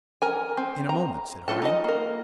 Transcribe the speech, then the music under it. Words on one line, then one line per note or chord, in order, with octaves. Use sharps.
"In a moment," said Harding.
A#4 G#5
C4
A#5
A3 F4 F#4 A4 A5
D#4 D#5
A#3 A#4